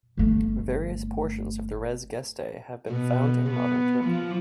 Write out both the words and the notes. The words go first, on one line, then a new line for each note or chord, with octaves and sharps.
Various portions of the "Res Gestae" have been found in modern Turkey.
G1 A3
B2
B3
F3